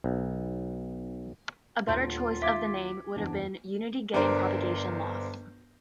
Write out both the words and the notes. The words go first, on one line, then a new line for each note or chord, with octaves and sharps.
A better choice of the name would have been "unity-gain propagation loss".
B1
D#1 D2 F4 C6 G6 D7
D#2 E5 F5 D6 G#6 B6 G7
F#1 E2 D4
G1 D4 A#4 C5